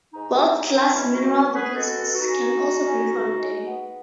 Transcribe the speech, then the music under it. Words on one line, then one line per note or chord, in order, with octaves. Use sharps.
World-class mineral deposits can also be found there.
G#2 D#4
B3
E3
G#2 C#4 E4
D#4 F#4
B3
B3
G#4 B4
G#3 F#4 A4
B2
D#4 F#4
C#4
G#3
C#4
C#2
G#3
B3